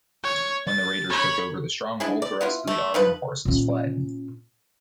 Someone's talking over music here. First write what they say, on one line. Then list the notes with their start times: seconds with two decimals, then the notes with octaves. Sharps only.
When the raiders took over the stronghold, the rest of the Ottoman forces fled.
0.23 C#5
0.67 A6
1.10 C#5 B5
2.00 D4 E4 G#4
2.22 D5
2.41 B3 E4 F4
2.67 A3
2.94 D#3 F3 B4
3.45 A#2 C#4